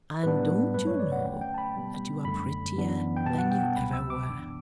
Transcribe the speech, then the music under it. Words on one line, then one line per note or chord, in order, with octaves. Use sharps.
"And don't you know that you are prettier than you ever were?"
A2 G3 B3 D4 B4
G2 F#3 A3 B4
C#5
D5
F#5
E2 D3 A3 C#4 G5
G5
A5
B5
B2 G3 B3
F#2 D3 A3 B5
F#2 E3 B3 D4
G5
B2 G3 B3 A5
F#5
G5
A5
C#2 B2 F#3 B5
E6
D6
F#2 E3 B3 D4